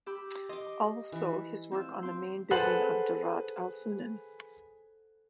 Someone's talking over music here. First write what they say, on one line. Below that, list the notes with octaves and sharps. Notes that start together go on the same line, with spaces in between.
Also his work on the main building of Darat Al Funun.
G4 B5 E6
D#5 C6 D6
E3 E4
C4 F4 E6
C4 C6
G#4 A4 B4 C5 F#5 F#7